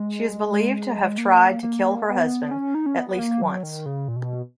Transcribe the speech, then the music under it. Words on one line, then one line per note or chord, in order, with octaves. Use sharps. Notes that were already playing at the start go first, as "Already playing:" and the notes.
She is believed to have tried to kill her husband at least once.
Already playing: G#3
A#3
A#3
B3
C#4
D#4
C#4
B3
B3
A#3
F#3
D#3
C#3
A#2
B2